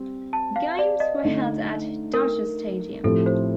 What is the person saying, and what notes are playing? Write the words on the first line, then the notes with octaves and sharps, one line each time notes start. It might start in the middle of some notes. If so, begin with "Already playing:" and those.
Games were held at Dodger Stadium.
Already playing: G3 C4
A5
F5
D5
D#5
D3 A3 D#4
A#4
A2 F3 A3 C4 G4 A4
C5